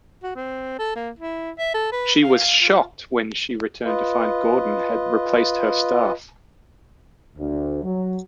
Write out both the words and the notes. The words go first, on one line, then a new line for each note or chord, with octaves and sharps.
She was shocked when she returned to find Gordon had replaced her staff.
F#4
C4
A4
A#3
E4
E5
A4
B4
F5
F4
F4 B4 D#5
D2
F#3